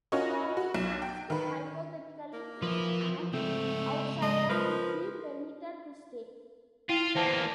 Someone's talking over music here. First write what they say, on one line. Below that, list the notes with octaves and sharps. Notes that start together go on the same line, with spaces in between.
Tommy asks hypothetically if an outsider could be permitted to stay.
C#4 F4 F#4 A#4 C#5 D#5
F#4
B1 E7
G5
D#3 B4
A#3
F3 B4 E5
G#2 C#3 A3 C4
G#3 D#5
F3 A#4 B4
E4 F4 G5 D#7
E2 A#3 C5 G5 A5